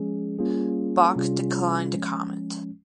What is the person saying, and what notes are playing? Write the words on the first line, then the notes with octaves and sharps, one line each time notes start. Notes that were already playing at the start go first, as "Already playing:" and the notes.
Bach declined to comment.
Already playing: F3 G#3 C#4 G#4
G3 A#3 C#4 F4 G#4
C3 G3 C#4 F4 G#4
F3 G#3 C#4